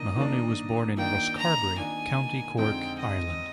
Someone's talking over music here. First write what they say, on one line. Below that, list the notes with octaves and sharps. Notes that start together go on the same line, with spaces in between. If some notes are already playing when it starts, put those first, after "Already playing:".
Mahony was born in Rosscarbery, County Cork, Ireland.
Already playing: D#3 A#3 D4 D#5
D#3 A#3 D4
D#3 A#3 D4 G5
A#5
D#3 A#3 D4 G#5
F2 D3 G#3 C4 D#4 G5
D#5